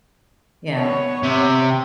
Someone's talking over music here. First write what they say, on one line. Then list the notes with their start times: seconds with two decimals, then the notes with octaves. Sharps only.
you know,
0.75 B3 C#5
1.23 C3